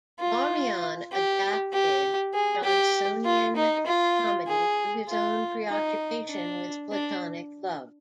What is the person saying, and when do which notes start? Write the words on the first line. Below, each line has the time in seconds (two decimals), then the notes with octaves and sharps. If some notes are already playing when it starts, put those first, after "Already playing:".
Marmion adapted Jonsonian comedy to his own preoccupation with Platonic love.
0.20 F4
1.12 G4
1.73 G4
2.34 G#4
2.64 G4
3.25 F4
3.56 D#4
3.86 F4
4.47 G#4
5.09 F4
5.69 D#4
6.30 D4
6.92 D4